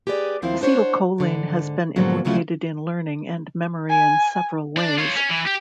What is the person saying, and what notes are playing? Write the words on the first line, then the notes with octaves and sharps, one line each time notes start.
Acetylcholine has been implicated in learning and memory in several ways.
G4 G#4 B4 D5
D#2 F3 C4 E4 C5 F5
D4 F#4 C5 C#5
G#2 D3
G#2 B2 D3 F3 F#3 A#3
D2 C#3 F#3 A3 E4 F4
G#5
D4
F4 C#5
C#4
E3
G4